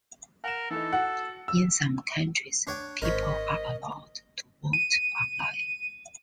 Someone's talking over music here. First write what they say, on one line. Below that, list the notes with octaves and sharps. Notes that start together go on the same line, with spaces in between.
In some countries people are allowed to vote online.
A#4 F#5 E7
E3 A3 D#4 A4
F#4 F#5
E6
D4 C#5 G5
G#1 A#4 C5 C#5 D#5 B6
D#7